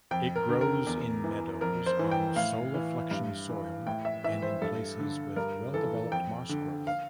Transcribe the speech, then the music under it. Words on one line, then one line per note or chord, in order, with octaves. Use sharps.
It grows in meadows, on solifluction soil, and in places with well-developed moss growth.
F2 G5
A#4
D3
A#4
E2
E3
F2 A#4
C5
E3
G5
A2 F5
E3
G2
E3
A2 G5
E5
E3 E5
C5
G2 A4
D3
G2 A#4
E3 A4
F2 G5
D3
F5